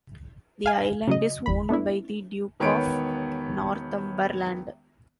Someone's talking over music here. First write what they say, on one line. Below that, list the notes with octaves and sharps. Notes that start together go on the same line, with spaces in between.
The island is owned by the Duke of Northumberland.
F5 G#5
C#3 F#3 D#5
G1 E2 B5
A3 B3 D4 E4
E1 D#3 B3 C#5 B5 D7